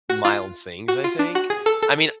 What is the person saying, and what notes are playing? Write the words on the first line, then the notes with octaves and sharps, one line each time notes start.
mild things, I think. I mean,
F#4
F4
F#4
F4
D4
F#4
G#4
A4
A4